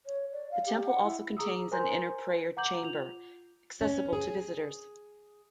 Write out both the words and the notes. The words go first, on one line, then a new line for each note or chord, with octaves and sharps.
The temple also contains an inner prayer chamber, accessible to visitors.
C#5
D5
F5
G4
F#5
E4
G#4 A#5 D#6 E6
A#4 C5 G#5 A#5 C6 G6
F#5 A#5 D6 G6 F#7
F4 F7
C#4
G#4